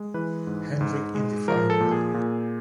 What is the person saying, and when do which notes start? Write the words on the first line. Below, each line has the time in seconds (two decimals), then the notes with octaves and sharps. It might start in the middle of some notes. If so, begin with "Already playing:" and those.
Hendrick in the final.
Already playing: G#3
0.14 E3 B4
0.47 G#2
0.81 G#2
1.15 G#3
1.48 F3 A#4
1.70 A4
1.80 A#2
1.91 G#4
2.14 A#2